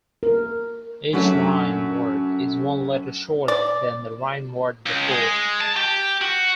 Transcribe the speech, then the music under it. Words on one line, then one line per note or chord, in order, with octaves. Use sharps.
Each rhyme word is one letter shorter than the rhyme word before.
A#4
F#2 D3 F#3 A3
D5
C#2
G#3
A5
G4
F#4